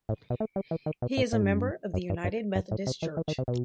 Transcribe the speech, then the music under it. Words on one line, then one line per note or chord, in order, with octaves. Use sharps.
He is a member of the United Methodist Church.
A2
B2
A3
G3
E3
D#3
B2
A2
A2
G2
F#2
G2
F#2
G2
G2
G2
A2
C3
E3
E3
D#3
C3
B2